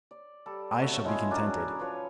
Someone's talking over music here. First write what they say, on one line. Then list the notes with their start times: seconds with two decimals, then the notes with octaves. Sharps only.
I shall be contented.
0.11 D5
0.46 G3 A4
0.82 A3 F#4 C#5
1.05 G#3 E4 F4 G#4
1.31 F#3 C#4 D4 A#4
1.79 F3 G#4 B4 C#5